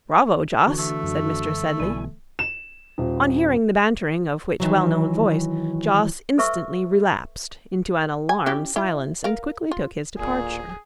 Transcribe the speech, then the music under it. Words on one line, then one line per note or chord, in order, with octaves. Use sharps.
"Bravo, Jos!" said Mr. Sedley; on hearing the bantering of which well-known voice, Jos instantly relapsed into an alarmed silence, and quickly took his departure.
D3 E3 D4 F#4
A3
F#2
B1 B2 G3 E4 G#5
E7
D#1
D#3 E3 F#3
A4 B4 E5 C#6 E6
G#5
C#4 E4 G4
E4 F4
A#4 F5
F4
D1 A#2 G#4